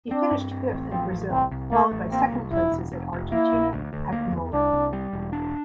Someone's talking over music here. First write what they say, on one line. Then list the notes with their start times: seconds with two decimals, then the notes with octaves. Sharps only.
He finished fifth at Brazil, followed by second places at Argentina at Imola.
0.11 C4 D4
0.31 G2
0.51 C4
0.71 A1
0.91 F3 C4
1.11 A1
1.31 C2 C4
1.51 C2
1.72 A3 A#3
1.92 A1
2.12 A#3 C4
2.32 C2
2.51 E1 E4
2.72 E1
2.92 F1
3.13 F1
3.32 A#3 E4
3.53 A#1
3.73 D2
3.93 D2
4.12 A#3
4.32 E2
4.53 C2 D4
4.73 C2
4.93 G3
5.13 E1
5.33 D4